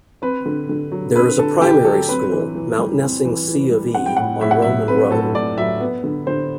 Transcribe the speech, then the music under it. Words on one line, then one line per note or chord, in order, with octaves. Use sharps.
There is a primary school, Mountnessing C of E, on Roman Road.
C4 B4
D3
D3
F#3
C4 B4
D3 A4
D3 G4
F#3 A4
C4 B4
E3
E3
G3
C4
E3
E3
G3
C4 F#5
G5
A2 F#5
A2 E5
F#5
F#3 E5
C4 B4
A2 A4
A2 D5
F#3 E5
B3
D3
D3 C5